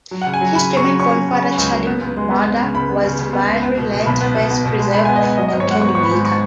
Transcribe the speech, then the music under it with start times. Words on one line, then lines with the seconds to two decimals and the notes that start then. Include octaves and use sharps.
His German-born father, Charles Munder, was Maryland's first preserve and candy-maker.
0.11 F#3
0.22 C#3 F#5
0.34 G#5
0.41 F#3
0.55 C#3 B5
0.70 C#3
0.77 C#6
0.84 F#3
1.00 C#4 C#6
1.14 F#3
1.29 C#3
1.43 C#4
1.58 C#2
1.72 F#3
1.87 B3
2.01 C#2
2.17 G#3
2.31 B3
2.45 B3
2.60 C#3
2.75 C#2 B5
2.89 B3
3.04 C#3
3.19 C#3
3.33 B3
3.48 C#2
3.62 B3
3.77 B2
3.92 B2
4.06 B1 B5
4.21 B3
4.35 B2
4.51 B3
4.65 B2
4.79 G#3
4.94 G#3 B5
5.05 G#5
5.09 B3
5.16 D#5
5.24 B3
5.38 F#3 D#5
5.48 D#5
5.53 G#1
5.60 C#5
5.67 G#2 F#5
5.82 B3 C#6
5.95 G#1 C#6
6.03 B5
6.11 G#2
6.26 C#6